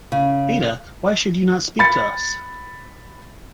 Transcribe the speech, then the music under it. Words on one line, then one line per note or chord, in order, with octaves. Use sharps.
Ada, why should you not speak to us!
C#3
B5 A6 C#7